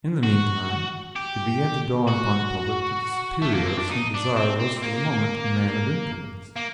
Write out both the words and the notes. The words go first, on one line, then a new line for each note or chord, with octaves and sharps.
In the meantime it began to dawn upon the public that the Superior of St. Lazare was for the moment a man of influence.
F#4
G4
F#4
A3
A#3
C4
D4
D#4
D4
C4
C4
A#3
A#3